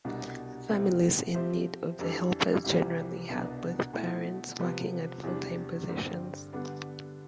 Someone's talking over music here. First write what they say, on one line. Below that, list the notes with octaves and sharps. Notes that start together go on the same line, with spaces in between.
Families in need of the helpers generally have both parents working at full-time positions.
C2 B2 G3 D4
C2 B2 A3 C4 E4
F3 C4 G4 C5 E5
F2 E3 G3 D4 A4
C2 C3 E3 G3
C2 B2 B3 D4
B2 A3 E4
C3 F3 B3
E2 C3 G3 D4
G2 D3 G3 C4
D3 G3 B3 D4